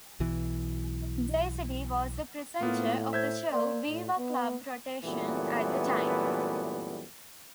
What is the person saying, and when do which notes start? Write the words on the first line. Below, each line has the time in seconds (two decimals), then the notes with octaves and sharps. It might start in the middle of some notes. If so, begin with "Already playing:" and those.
Daisy Dee was the presenter of the show "Viva Club Rotation" at the time.
0.20 B1 E3
2.61 A2 A#3 B3 F4
3.13 C5 E5 G6 G#6
3.52 A#3 D5 C6
3.88 A2
4.18 B3
5.04 F#2 A#2 E3 G3 A3 B3